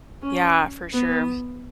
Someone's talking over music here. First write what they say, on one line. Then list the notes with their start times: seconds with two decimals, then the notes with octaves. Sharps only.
Yeah, for sure.
0.22 C#4
0.94 B3